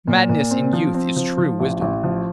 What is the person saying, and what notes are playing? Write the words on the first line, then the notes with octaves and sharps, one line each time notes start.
'Madness in youth is true wisdom.
A#2
A#2
C4
F3
C4
F3
F3
A1
A1
F3